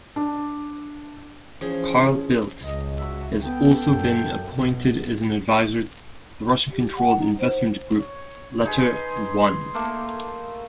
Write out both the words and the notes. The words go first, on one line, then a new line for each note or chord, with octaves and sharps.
Carl Bildt has also been appointed as an advisor to Russian-controlled investment group LetterOne.
D4
E3 F3 C#4 G#4
C#2 D#5
F#4 E5
B3 A4 G5
F#2
B1 B2
G4
F#5
D#4
C5
C#5
D#4 G#4 B4 C6
A3 A#3